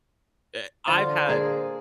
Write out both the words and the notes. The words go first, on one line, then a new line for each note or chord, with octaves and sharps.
uh I've had
D3 F4 C5
A#3 G#4